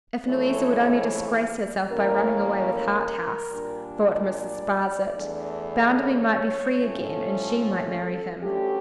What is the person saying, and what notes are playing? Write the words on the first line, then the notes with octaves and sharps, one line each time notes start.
If Louisa would only disgrace herself by running away with Harthouse, thought Mrs. Sparsit, Bounderby might be free again and she might marry him.
F2 C#3 E3 A3 C#5
A2 E3 A#3 C#4 A#4
A#4
A#2 G3 D4
D5
E2 E3 A3 D4
C#5
A2 F3 A3 C#4
A4
A4
D2 D3 A3 C#4 G4